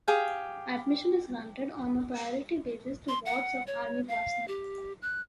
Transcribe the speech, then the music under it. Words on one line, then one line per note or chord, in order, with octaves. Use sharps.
Admission is granted on a priority basis to wards of Army personnel.
G4 G#4 F5 G5
C6
F#5
C#5
F5
G4
F#6